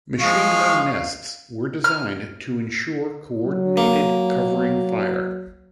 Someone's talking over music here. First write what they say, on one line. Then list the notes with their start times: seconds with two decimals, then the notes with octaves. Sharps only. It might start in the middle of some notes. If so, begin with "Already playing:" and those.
Machine gun nests were designed to ensure coordinated covering fire.
0.20 F3 G#3 F5 C#6
1.84 F6
3.45 F#3
3.77 A#3